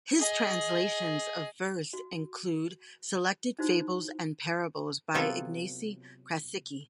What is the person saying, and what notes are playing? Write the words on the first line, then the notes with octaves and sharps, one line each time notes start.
His translations of verse include selected "Fables and Parables" by Ignacy Krasicki.
G#4 D#5
F#4
D#4 E4 F#4 C5
C3 F#3 B3 F4 A4 C#5